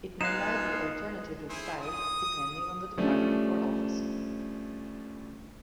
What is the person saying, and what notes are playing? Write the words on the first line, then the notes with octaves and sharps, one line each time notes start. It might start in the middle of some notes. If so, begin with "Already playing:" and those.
It may now be alternatively styled, depending on the department or office.
G#3 B3 D#4 F4 F5 F#6 E7
E4 G#4 C5 G#5
D#6
F3 G3 A3 C#4 D4